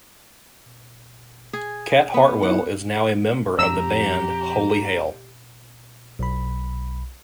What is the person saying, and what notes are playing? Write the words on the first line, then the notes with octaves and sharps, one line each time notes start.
Cat Hartwell is now a member of the band Holy Hail.
G#4
B3
F#3 D#4 E4 F#5
F2 G4 A#5 E6
B1 B5